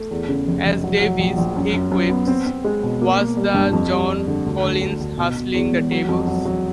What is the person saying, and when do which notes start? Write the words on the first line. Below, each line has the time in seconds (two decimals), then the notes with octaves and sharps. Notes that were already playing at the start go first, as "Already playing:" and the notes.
As Davis he quips: Was that Joan Collins hustling the tables?
Already playing: A3
0.11 E2
0.28 C#3
0.47 F1
0.66 F1
0.84 F#3
1.01 F#3
1.19 A#1
1.38 A#1
1.56 F#2
1.74 F#2
1.92 F#2
2.09 B3
2.28 C4
2.46 C4
2.64 G#3
2.83 B2
3.01 A#3
3.18 A#3
3.37 G3
3.54 G2
3.73 F2
3.91 G3
4.09 G3
4.27 D3
4.46 D2
4.64 D2
4.81 D2
5.01 D2
5.18 B2
5.37 B2
5.54 E2
5.72 E1
5.91 F#3
6.09 F2
6.27 F#3
6.45 F#3